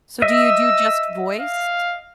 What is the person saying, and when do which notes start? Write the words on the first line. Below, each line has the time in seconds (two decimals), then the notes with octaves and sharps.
So, do you do just voice?
0.22 D#5 E5 E6
1.40 F5